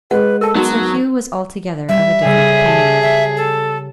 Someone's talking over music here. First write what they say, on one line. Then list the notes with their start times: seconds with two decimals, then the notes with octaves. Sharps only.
But Sir Hugh was altogether of a different opinion.
0.11 G#3 B4 F#5
0.41 A4 A#4 A5
0.55 F#3 B3 D#4 F#4
1.89 G3 E5
2.25 C#3 G3 G#4 A4
2.65 G4 A5
3.02 E5
3.37 A4